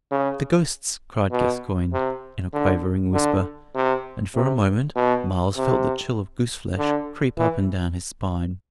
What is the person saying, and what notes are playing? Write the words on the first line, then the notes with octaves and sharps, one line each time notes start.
"The ghosts!" cried Gascoyne, in a quavering whisper, and for a moment Myles felt the chill of goose-flesh creep up and down his spine.
C#3
B2
C3
D3
D3
C3
C3
B2
C3
D3
E3